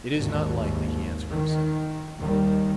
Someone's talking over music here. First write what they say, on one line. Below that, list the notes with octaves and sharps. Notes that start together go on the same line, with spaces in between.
"It is not likely," he answered himself.
G#1 D#2
D#3
D#2 D#3 G3